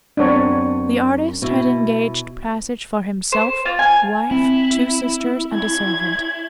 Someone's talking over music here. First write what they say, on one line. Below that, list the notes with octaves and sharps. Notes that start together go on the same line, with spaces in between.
The artist had engaged passage for himself, wife, two sisters and a servant.
F#2 B3 C4 D4 C#5
B2 E4
C5
F4
G#5
C4 E4
G#6